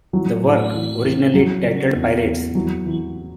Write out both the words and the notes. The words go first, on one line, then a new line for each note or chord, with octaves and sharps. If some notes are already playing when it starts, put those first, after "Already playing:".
The work, originally titled Pirates!
E3 F#3
A2
E3
E3
E3 F#3
C#3
E2
E2
E3 F#3
E3